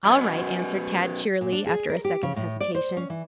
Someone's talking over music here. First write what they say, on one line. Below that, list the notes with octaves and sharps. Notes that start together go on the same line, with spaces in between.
"All right," answered Tad cheerily, after a second's hesitation.
F#2 B2
A#2
D4
G#4
A#4
G4
C#3
A2
D5
C5
C#4
E3